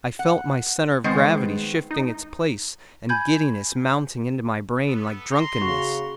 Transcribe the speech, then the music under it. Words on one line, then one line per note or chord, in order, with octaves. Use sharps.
I felt my centre of gravity shifting its place, and giddiness mounting into my brain like drunkenness.
F#5
D#3 G#3 B3 C4
D#4
G#5 B5 G6 G#6
B3 A4
A#5 C6
C#3 F#4